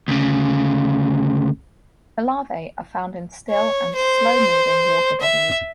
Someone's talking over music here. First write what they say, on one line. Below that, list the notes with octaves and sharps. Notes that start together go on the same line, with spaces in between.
The larvae are found in still and slow-moving waterbodies.
D2 C#3
C#5
C5
E5